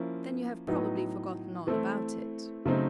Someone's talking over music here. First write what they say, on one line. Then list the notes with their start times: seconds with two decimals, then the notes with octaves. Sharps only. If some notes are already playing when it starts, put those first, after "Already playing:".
"Then you have probably forgotten all about it."
Already playing: F3 A#3 C#4 E4
0.68 A2 F#3 B3 D#4
1.67 E3 A3 C4 E4 A4
2.66 C#3 F#3 A3 C4 D#4